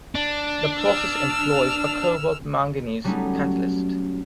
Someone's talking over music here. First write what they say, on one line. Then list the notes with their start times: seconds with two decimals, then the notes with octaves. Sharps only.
The process employs a cobalt-manganese catalyst.
0.15 D4
0.78 E6 F6
3.04 F#3 G3 A3 B3 C#4 D#4